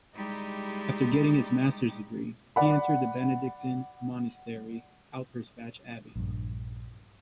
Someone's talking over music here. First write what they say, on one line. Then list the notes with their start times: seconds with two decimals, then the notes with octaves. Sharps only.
After getting his master's degree, he entered the Benedictine monastery Alpirsbach Abbey.
0.14 G3 G#3 D#4 E4 G4
2.56 D5 F#5 B5
6.15 A#1 G2